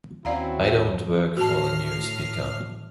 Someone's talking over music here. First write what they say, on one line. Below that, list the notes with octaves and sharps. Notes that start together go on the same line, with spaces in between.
I don't work for the new speaker.
D#2 C4 C#4 E4 F#4 D5 F5 A#5
A2 F#4 A5 F6 C7